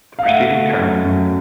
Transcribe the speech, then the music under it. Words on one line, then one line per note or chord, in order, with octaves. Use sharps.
The preceding Turn!
F5
A3 E5 F#5
A3
F#2
F#2